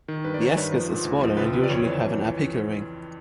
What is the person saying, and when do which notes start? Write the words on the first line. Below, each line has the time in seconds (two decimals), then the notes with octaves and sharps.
The ascus are swollen and usually have an apical ring.
0.08 D#3
0.24 G2 B4
0.34 D5
0.40 D#3 C#5
0.57 G2 B4
0.74 F3
0.89 G#2
1.05 D2
1.21 F3
1.37 C#2 B4
1.53 F3 B4
1.63 D5
1.69 F2 C#5
1.86 E3